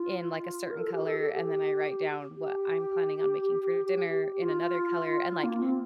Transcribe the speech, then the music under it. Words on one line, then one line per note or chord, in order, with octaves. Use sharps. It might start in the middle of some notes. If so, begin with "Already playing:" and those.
in, like, a certain color, and then I write down what I'm planning on making for dinner in another color, and, like,
Already playing: F4
A#4
A4
G4
A4
A4
G4
G4
F4
A#3
C4